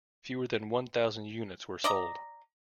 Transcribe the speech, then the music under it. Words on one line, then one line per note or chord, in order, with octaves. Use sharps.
Fewer than one thousand units were sold.
D5 D#5 A#5